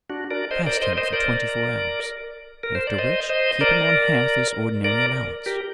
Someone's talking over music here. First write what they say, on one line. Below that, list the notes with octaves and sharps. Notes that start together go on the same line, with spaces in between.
Fast him for twenty-four hours; after which, keep him on half his ordinary allowance.
D4 F#4
A#4 D5
C5 D#5
A#4 D5
C5 D#5
C5 D#5
A#4 D5
A#4
C5
D5
C5 D#5
C5 D#5
A#4 D5
A#4 D5
G4 A#4